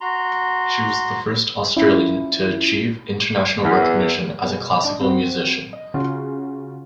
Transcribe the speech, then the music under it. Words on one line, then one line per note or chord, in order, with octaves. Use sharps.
She was the first Australian to achieve international recognition as a classical musician.
F#4 A#5 C6
C#4 E4 F4
E2
B2 G#3
D4 D5 D#5
C4 F#4
D#5
C#3 F4 F#4